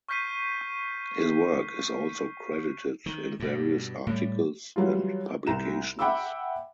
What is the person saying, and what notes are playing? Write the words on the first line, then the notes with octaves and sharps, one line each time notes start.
His work is also credited in various articles and publications.
C#6 F6 G6 B6 C7 D#7
D#3
G2 B2
A2 G3
E3 F#3 G3 F4
C2 A#5 E7
E5 F#5 G5 B5 D6 E6